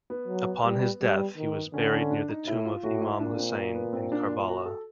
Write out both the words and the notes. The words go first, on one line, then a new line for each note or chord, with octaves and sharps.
Upon his death he was buried near the tomb of Imam Husayn in Karbala.
B3
F#3
G3
G3
D#3
D3 C#4
C#4
D4
D#4
A2 E4
F4
A2 F#4
E4
A#2 D4
C4
B3
C4
D4
F4
F#4
A4